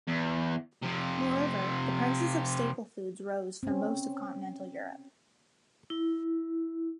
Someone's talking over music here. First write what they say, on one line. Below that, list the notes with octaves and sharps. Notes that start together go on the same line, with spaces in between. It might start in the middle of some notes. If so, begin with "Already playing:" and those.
Moreover, the prices of staple foods rose for most of continental Europe.
E2
C3 F3
C4 C#4
E4